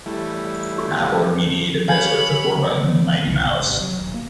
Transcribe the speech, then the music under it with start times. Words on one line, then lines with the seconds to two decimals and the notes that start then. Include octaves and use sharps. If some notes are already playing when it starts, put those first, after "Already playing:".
Apple remedied this with the four-button Mighty Mouse.
0.06 E3 G3 A3 E4
1.88 C#5 F5 G#5 B5
3.27 C2
3.45 G#1
3.67 C3
3.80 F#3
3.99 D#1
4.14 A#3